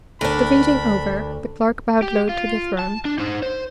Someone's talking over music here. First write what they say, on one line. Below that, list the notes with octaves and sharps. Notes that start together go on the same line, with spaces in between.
The reading over, the Clerk bowed low to the throne.
D2 D4 A#4 B5
G4
F4
A5
D4
D#4 C5
C5